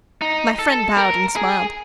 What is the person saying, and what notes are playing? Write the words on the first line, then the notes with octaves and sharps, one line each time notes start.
My friend bowed and smiled.
D#4
A4
A#4
G#4